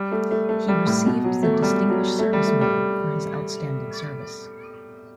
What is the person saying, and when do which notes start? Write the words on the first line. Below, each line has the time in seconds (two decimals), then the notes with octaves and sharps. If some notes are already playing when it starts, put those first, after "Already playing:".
He received the Distinguished Service Medal for his outstanding service.
Already playing: G3
0.12 A3
0.31 A3
0.49 A3
0.68 G3
0.87 A2
1.06 B2
1.24 F#3
1.43 A3
1.62 G3
1.90 F#3
2.19 A3
2.33 G3
2.47 A3
2.61 G3